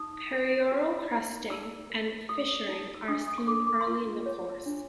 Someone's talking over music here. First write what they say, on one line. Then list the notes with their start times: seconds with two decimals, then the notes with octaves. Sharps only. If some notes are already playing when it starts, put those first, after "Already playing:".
Perioral crusting and fissuring are seen early in the course.
Already playing: D#4 D#6
0.33 A#4
0.72 G4
1.11 D#4
1.50 D#4 E6
1.90 A#4
2.29 G4 D#6
2.68 D#4
2.95 E6
3.08 D4 D#6
3.28 D#6
3.38 C#6
3.47 A4 D6
3.67 D6
3.81 C6
3.87 F4 C#6
4.26 C#5
4.66 D4